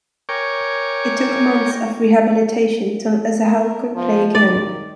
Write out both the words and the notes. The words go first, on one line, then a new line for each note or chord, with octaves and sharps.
It took months of rehabilitation till Azaough could play again.
A#4 C#5 G5 G#5 C#6 D6
A#4
F3
D#3 D5